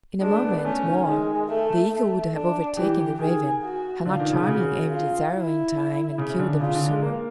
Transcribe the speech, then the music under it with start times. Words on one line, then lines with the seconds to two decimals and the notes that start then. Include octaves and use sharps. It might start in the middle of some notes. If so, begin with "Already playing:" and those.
In a moment more the eagle would have overtaken the raven, had not Charming aimed his arrow in time and killed the pursuer.
0.21 G#3 D4
0.33 A3
0.42 B3
0.53 B3
0.64 A3 C#4
0.85 D#3
1.07 D#3 G#3
1.49 A3
1.92 A3
2.35 D4
2.77 E3 G4
3.19 D#3 G#4
3.63 F#4
4.04 D3 F4
4.19 D#3
4.32 C#3
4.47 C#3 F#4
4.90 F4
5.32 E4
6.18 C#3
6.39 D3
6.60 C#3 F4
6.75 D3
6.88 G#3
7.02 A#3